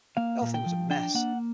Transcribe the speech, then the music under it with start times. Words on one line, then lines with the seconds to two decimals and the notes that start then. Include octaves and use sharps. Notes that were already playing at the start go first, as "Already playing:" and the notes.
The whole thing was a mess.
0.17 A#3 F5
0.42 A#2
0.54 G5
0.66 F3
0.90 D4 G5
1.15 A#3 F#5